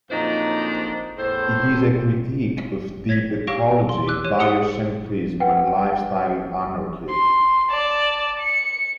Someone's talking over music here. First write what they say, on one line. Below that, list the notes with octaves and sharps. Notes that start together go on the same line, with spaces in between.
It is a critique of deep ecology, bio-centrism and lifestyle anarchism.
F2 A#2 F#3 D4 D#4 C5
E2 A2 A4 C5
C#5 G#6 A#6 B6
G4 C#5 F5 C#6 A#6 D7
C6
D6 E6 F#6
G4 C#5 D#7
G4 G#4 F#5 D#6 C#7 G7
B4 F#5 G5
C6
D5 A5
C#7